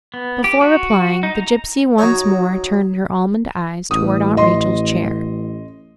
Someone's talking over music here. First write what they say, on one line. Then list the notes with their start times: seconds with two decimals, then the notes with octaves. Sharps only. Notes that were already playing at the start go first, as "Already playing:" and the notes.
Before replying, the gipsy once more turned her almond eyes towards Aunt Rachel's chair.
0.14 B3
0.44 G4
0.61 F#4
1.23 D#4
1.36 A#5
1.98 F#3 D#4 C#5
3.91 A1 D#6
4.37 D#5 C6